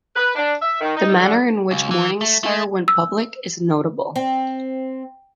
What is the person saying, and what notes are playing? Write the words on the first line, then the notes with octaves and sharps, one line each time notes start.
The manner in which Morningstar went public is notable.
B4
D4
E5
D#3
D#4
D3
C#2
E3
A3
A3
E6
C4